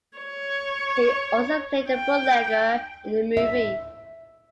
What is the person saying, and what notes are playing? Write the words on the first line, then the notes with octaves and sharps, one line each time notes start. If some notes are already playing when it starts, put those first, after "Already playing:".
He also played the bootlegger in the movie.
C#5
G5
E5